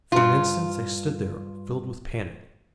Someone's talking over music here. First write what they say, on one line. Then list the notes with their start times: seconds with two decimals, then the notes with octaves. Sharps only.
For an instant they stood there, filled with panic.
0.12 G2 F4